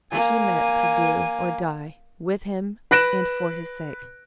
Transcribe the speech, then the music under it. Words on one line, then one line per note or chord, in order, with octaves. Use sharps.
She meant to do or die, with him and for his sake.
A#3 G#5
B4 F#6 A#6 D7 E7